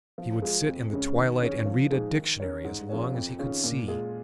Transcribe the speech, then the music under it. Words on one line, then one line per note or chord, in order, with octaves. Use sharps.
He would sit in the twilight and read a dictionary as long as he could see.
F3
G#3 F4 G#4
F2
C#3 G#3 C#4
D#3
C#4 G#4 C#5
F3
G#3 D#4 G#4
D#3
C#4 A#4 C#5
G#2
F3 C#4 G#4 C#5
F2
D#3 C#4 F4 G#4
A#2
G#3 F4 G#4